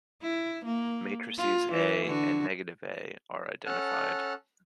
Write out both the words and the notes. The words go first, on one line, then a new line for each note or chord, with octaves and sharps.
The matrices "A" and "-A" are identified.
E4
A#3
F4
E3
D3 F#4
C#4 A4 F#5 A5 F6 F#6